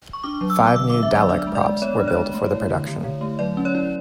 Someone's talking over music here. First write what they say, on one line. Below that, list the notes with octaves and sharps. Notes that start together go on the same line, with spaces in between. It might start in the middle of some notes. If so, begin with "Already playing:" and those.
Five new Dalek props were built for the production.
C#6
D4 D6
F#3
E6
B3
D6
D3 E6
D6
B3
E5
F#3 D5
D4 D5
G#3
D5
G#3
B3 C#5
D4
C#5
G#3
A3
E4
D3
D3
D3
A3
F#3 D5
C#4
C#5
E4